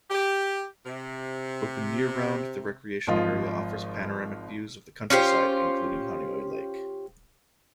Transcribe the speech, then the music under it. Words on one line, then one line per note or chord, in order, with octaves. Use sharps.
Open year-round, the recreation area offers panoramic views of the countryside, including Honeoye Lake.
G4
C3
G#1 F3 F4 D#5
C#4 F4 G4 C5